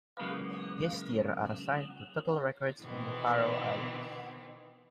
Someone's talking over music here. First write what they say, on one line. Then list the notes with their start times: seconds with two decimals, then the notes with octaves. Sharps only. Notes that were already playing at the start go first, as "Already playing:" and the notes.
Gestir are signed to Tutl Records in the Faroe Islands.
0.19 C#3 E3 F#3 G#3 A#3 B3
2.81 B2 D#3 E3 B3 C4